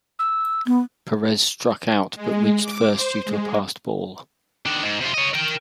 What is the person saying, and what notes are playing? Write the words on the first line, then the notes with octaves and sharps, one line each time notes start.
Perez struck out but reached first due to a passed ball.
E6
B3
G#3
D6
C5
G#3
D#3 D4
G#2
C3 F4
C#5 D#5
A#4 G5